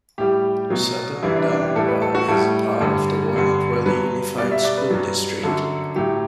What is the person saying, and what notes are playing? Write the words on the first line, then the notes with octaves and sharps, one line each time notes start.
Southern Diamond Bar is a part of the Walnut Valley Unified School District.
A2 G3 G4
B2 F#3
F#2 E3 G3 E4
D4
D4
G4
A2 G3 A4
B4
A4
F#4
A2 G3 A4
G2 D3 G3
G2 D3 G3
G2 F#3 B4
B2 G3 D5
E5
D5
B4
G2 F#3
F#2 D3 F#3 A4
A2 F#3 G4